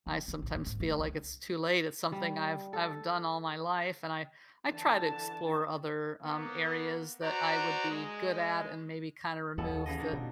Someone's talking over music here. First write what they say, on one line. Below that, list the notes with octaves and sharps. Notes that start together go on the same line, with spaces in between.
I sometimes feel like it's too late. It's something I've I've done all my life, and I I try to explore other, um, areas that I would be good at, and maybe kinda remove the
C4
C4
A#1
E2
G#1
A3
C2
G3
A4
D3 E3 A5
A#3 B3
F#4 B4 C5 D5 A#5
G#3
D#2 B3 A4
C#3 E3 D#5
A#2 D4 D#4
B2